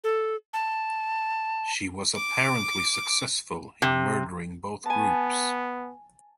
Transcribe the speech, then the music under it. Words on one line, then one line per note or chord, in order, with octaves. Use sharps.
She was apparently successful in murdering both groups.
A4
A5
D6
C3
B3 G#5 A5